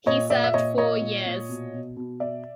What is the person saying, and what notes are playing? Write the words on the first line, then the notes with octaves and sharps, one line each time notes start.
He served four years.
A#2 C#5 D#5
A#2 D5 E5
E5
A#2 C#5 D#5
A#2 C#5 D#5
A#2
A#2
B2
B2
B2
B2 D5 E5